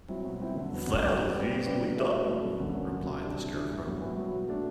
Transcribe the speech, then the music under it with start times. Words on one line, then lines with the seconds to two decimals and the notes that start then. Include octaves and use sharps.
"That is easily done," replied the Scarecrow.
0.08 F#3 C4 E4
0.25 B2
0.40 F#3 C4 E4
0.55 D3
0.71 F#3 B3
0.87 D3
1.03 F#3 B3
1.19 G3
1.34 C4 G4 B4 D5
1.50 G3
1.66 C4 G4 B4 D5
1.81 B2
1.97 A3 E4 B4 D5
2.13 B2
2.28 A3 E4 B4 D5
2.44 F#2
2.59 D3 F#3
2.75 F#2
2.91 D3 F#3
3.08 C3
3.22 E3 G3 D4
3.38 C3
3.54 E3 G3 D4
3.70 A2
3.86 F#3 B3
4.01 A2
4.17 F#3 B3
4.32 B2
4.48 A3 D4